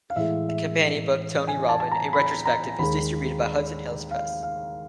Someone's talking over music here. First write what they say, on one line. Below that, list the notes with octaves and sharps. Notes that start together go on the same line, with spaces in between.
The companion book "Tony Robbin, A Retrospective" is distributed by Hudson Hills Press.
F5
A2 E3 G#3 E5
E5
G#5
A5
A5
A#5
B5
A#5
D#2 D#3 G#3 B5
F5
F5